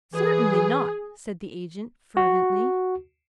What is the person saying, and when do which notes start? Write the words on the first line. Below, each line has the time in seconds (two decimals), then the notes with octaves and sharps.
"Certainly not," said the agent, fervently.
0.14 E3 G#4
2.17 F#4